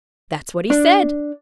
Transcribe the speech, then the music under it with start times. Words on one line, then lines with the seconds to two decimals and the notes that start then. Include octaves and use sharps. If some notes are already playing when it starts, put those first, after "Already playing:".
That's what he said.
0.70 D4